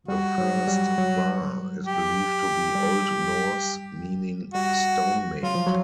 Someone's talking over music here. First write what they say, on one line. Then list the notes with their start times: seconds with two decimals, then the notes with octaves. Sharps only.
The first "Var" is believed to be Old Norse meaning "stone made".
0.08 G3 F#4
0.38 F#3
0.67 G3
0.98 F#3
1.86 G4
2.75 G3
4.54 G3 F#4
5.43 F#3 F4
5.55 F3
5.66 F#3